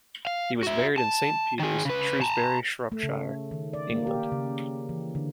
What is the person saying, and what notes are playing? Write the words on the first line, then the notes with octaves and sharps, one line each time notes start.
He was buried in Saint Peter's, Shrewsbury, Shropshire, England.
F5
F#4 E5
A5
D#3 G#4
C#3 B4
A5 A#5
A3
C#3
D#3
D5
A#3
G4
C#3
E3
D3